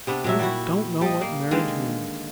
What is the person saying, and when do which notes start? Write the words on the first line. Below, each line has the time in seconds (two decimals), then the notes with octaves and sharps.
"You don't know what marriage means!"
0.07 C3 B3 D4
0.24 A#2 F#3 E5
0.39 G3 E4 F#4
1.01 G3 D#5
1.21 A#3
1.51 D3 D#3 G#3